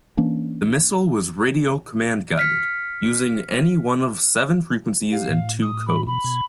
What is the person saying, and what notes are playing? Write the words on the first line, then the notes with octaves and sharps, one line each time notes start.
The missile was radio-command guided, using any one of seven frequencies and two codes.
E3 A#3 C#4 D4
F6 B6 C#7
G4 F5
A2
D#6
B5
B2 B5
B2 G#6